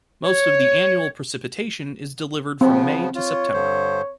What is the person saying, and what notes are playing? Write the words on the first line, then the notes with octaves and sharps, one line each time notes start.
Most of the annual precipitation is delivered from May to September.
C#5
C#3 F3 B3 C4
F4 C#5
G2 D3 C5